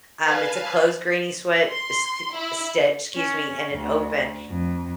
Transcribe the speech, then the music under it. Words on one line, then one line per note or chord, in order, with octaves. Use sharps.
um, it's a closed granny sweat s s stitch, excuse me, and an open.
B4 F5 G#5 A5
C6
E4
C#4
D2
F2